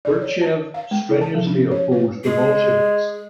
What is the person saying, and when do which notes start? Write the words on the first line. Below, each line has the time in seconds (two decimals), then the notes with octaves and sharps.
Burtsev strenuously opposed the Bolsheviks.
0.05 D5
0.22 C#5
0.41 A5
0.74 F5
0.91 G#3
1.09 E4
1.21 A5
1.35 F3
1.47 C#4
1.71 C#5
1.92 B4
2.24 G#3 G#4